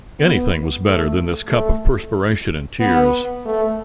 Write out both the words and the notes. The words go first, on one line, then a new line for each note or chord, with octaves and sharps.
Anything was better than this cup of perspiration and tears.
B3
A3
A3
B3
A3